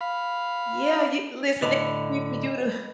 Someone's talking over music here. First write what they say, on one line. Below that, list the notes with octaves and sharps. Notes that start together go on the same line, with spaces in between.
Yeah, you listen, it ain't for you to
F5 B5
A2 D3 D#5 B5